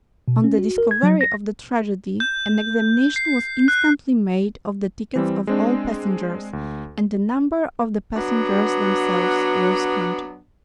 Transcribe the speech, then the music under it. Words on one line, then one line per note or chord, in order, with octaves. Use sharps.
On the discovery of the tragedy an examination was instantly made of the tickets of all passengers, and the number of the passengers themselves was counted.
B2
C#4
F#4
A#4
G#6
F#3
A#6
G6
C7
F#6
E3 G3 C4
G#3 C4 D4
D2
F#3 B3 D4